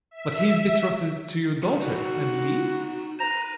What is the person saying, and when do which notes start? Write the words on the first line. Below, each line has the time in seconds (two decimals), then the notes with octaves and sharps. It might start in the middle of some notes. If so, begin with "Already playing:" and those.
"But he is betrothed to your daughter, I believe?"
0.11 E5
0.58 E5
1.63 G3 C#4
1.81 D#4 F#4 B4
3.20 B4 C5 A#5